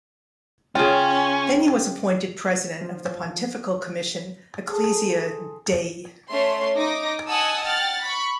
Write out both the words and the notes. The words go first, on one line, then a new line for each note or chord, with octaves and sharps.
Then he was appointed President of the Pontifical Commission "Ecclesia Dei".
C#3 C#4 F4 G5
F3
G#4 A4 C5
A3 C#4 C#5 C6
D#4 D#5 D6 A#6
D#5 F#5 G#5 A5 D#6 E6
F#5 G5 F6 A6
B5 C#6